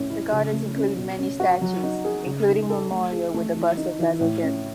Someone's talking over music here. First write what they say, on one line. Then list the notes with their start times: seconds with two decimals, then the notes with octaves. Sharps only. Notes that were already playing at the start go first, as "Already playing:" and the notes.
The gardens include many statues, including a memorial with a bust of Bazalgette.
Already playing: A2 C#4
0.10 E4
0.32 C#3
0.53 A3
0.76 C#4
0.97 B2
1.19 C#4
1.40 F#4
1.62 F#3
1.83 D#4
2.04 G#4
2.26 C#3
2.48 D#4
2.70 A4
2.91 A3
3.13 G#4
3.34 A3
3.56 E3
3.77 D#4
3.99 E3
4.21 A2
4.42 C#4